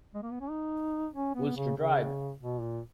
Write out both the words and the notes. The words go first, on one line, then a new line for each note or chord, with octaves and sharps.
Who’s to drive?
G#3
A#3
B3
C#4
D#4
C#4
B3
C#3
C#3
B2
A#2